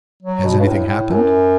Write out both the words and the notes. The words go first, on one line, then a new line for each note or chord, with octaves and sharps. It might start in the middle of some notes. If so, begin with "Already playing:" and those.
"Has anything happened?"
F#3
B2
G2
A2
A2
F#2